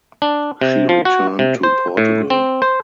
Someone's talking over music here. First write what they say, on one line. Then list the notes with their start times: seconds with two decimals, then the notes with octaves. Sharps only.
She returned to Portugal.
0.22 D4
0.61 C3
0.89 F3
1.05 F#4
1.39 C3
1.63 C5
1.97 A2
2.30 C4
2.62 C5